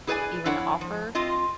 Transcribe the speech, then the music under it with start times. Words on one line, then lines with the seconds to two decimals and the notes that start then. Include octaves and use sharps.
even offer
0.07 E4 G#4 B4 C#5 D5 G#5
0.45 F2 D4 E4 C#5 F#5
0.81 F3
1.15 C4 F4 D#5